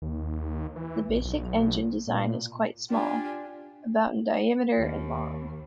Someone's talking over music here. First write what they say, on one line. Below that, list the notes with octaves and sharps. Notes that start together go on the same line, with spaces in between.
The basic engine design is quite small, about in diameter, and long.
D#2
E3
A#1
B1
A#2
D4 F4 G4 G#5
D#2